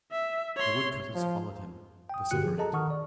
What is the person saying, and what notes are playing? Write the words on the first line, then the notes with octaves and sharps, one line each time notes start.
The woodcutters followed him, vociferating.
E5
C#5 C6
F3
G5 D#6
G2 D3 F#4 G4 F#6 C#7
F3 G#4
G#4 A4 D#5 A5 A#5
D#3 F#5 C#6 D#6 F6
D5